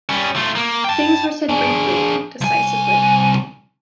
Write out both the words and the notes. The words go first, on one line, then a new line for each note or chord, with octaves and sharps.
Things were said briefly, decisively.
G3 C#4
A3 F4
A#3
G5 A5
D4 G#4
C2 G#5